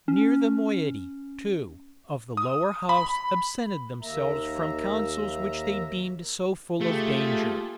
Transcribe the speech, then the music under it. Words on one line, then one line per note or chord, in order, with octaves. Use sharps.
Near the moiety, too, of the lower house absented themselves from counsels which they deemed so full of danger.
C#4
D#6
B5
D#2 A#3 E5 A#5
A3 F4 G4 G#4